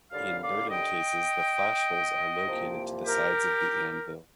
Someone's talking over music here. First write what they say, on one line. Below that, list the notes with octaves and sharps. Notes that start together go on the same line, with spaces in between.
In Berdan cases, the flash holes are located to the sides of the anvil.
D#2 D3 G3 D5 F5
D5 F5
D#5 G5
C2 C3 F3 A#3
G4 A#4